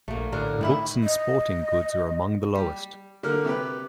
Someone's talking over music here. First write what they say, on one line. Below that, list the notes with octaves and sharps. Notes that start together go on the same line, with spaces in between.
Books and sporting goods are among the lowest.
A#1 A3 A#3
A2 D3 A#4
D#3 E4 E5
D#5
G3
D3 A#3 A#4 F6
C3 G4 B4